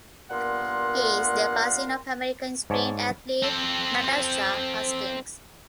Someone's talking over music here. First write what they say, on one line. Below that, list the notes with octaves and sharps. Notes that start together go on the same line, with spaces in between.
He is the cousin of American sprint athlete Natasha Hastings.
G2 A#2 B3 A#4 F#5 C6
G#2 C#5 D5 A5
C4 A4